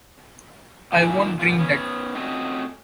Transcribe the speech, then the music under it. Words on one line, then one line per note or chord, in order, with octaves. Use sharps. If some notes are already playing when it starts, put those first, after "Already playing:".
I won’t drink that.
A#2 D#3 E4 G#5
E3 A#3 B3 F4
B3 C#4
A3 C4 C#4 F4 F#4 D#5